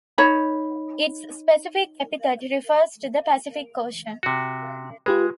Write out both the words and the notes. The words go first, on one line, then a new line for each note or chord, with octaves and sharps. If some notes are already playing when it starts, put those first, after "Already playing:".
Its specific epithet refers to the Pacific Ocean.
D#4 C#5 B5
C3 F#4
G#3 F4 G4 B4